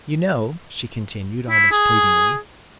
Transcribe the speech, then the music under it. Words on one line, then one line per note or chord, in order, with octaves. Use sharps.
"You know," she continued, almost pleadingly.
E4
G#4